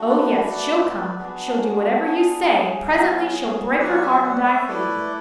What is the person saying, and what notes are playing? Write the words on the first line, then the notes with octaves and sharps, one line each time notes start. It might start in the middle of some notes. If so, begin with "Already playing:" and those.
Oh, yes, she'll come! she'll do whatever you say, and presently she'll break her heart and die for you.
Already playing: A3 D4 F#4
B4 D5
B3 D4 F#4 G#4 B4
G#4
F#4
G#4
F#3 B3 F#4
D5 F#5
E5 G#5
D5 F#5
C#5 E5
A3 E4 B4 D5